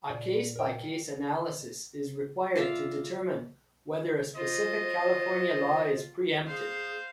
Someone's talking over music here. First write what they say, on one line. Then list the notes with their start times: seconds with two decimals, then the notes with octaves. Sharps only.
A case-by-case analysis is required to determine whether a specific California law is preempted.
0.10 A#2 D5
0.56 A#4 G5
2.56 F4 D5 E5 F5
4.35 F4 C5 D#5
6.48 G#4 C5 F5